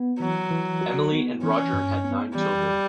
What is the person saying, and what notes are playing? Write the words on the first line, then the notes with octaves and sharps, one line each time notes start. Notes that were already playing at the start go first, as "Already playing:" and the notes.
Emily and Roger had nine children.
Already playing: B3
E3 F#3
E3
F#4
B3
E3 C#4
G2
B3
E3 G3